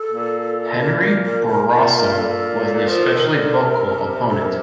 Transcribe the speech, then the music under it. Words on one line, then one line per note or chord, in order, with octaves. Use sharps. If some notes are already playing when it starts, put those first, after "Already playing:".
Henri Bourassa was an especially vocal opponent.
Already playing: A4
A#2
A#4
A#4
A#4
A#4
A#2 A#4
A#2 A#4
A#4
A4
A#4
A4
F3 A#4
A4
D#3 A#4
D3
C3
A4
A#4